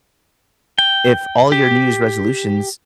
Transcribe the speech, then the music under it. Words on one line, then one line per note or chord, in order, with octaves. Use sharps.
if all your New Year's resolutions
G5
G4